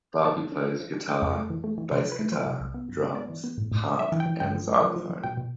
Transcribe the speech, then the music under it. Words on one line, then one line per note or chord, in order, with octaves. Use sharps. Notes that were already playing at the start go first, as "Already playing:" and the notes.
Barbee plays guitar, bass guitar, drums, harp and xylophone.
F3 A5
D4
D4
F3
F3
D4
A3 G5
F2
A3
E3
A3
E3
C3 C5
F3
B4
A3
F3 C5
C3
C2
B3
G2
B3
B3 D5
E3
B3
A2
A2
D4
D4 E5
E3
G5
E3
G2 G5
F3
A3
F3
F3
F3
B2 G5
B2